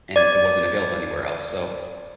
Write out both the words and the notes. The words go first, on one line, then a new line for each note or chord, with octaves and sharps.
and it wasn't available anywhere else. So,
D5 G#6